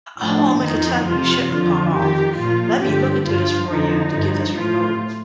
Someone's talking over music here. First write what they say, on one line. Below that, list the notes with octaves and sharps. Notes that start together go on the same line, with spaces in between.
"Oh, I meant to tell you, you shouldn't have called off. Let me look into this for you to get this removed."
A2 F3 D4
F2 D#3 D#4
F2 C3 F3 F4
F2 D3 F3 F4
F2 D#3 G4
A#2 F3 F4
G2 D3 F3 G4
G2 F3 F4
F2 D3 F3 D#4
G2 F3
A2 F3 F4